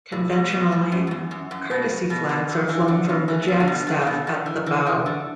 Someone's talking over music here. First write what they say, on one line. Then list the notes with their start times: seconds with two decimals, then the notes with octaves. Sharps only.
Conventionally, courtesy flags are flown from the jackstaff at the bow.
0.12 A2
0.33 B2
0.52 B2
0.72 A2
0.92 F#2
1.07 F#2
1.11 E2
1.31 F#2
1.51 F#2
1.71 B2
2.10 B2
2.29 B2
2.49 D3
2.69 E3
2.88 D3
3.09 B2
3.28 E3
3.42 A2
3.48 B2
3.60 D3
3.68 B2
3.87 D3
4.02 D3
4.07 B2
4.27 D3
4.46 E3
4.66 E3
4.87 E3
5.06 D3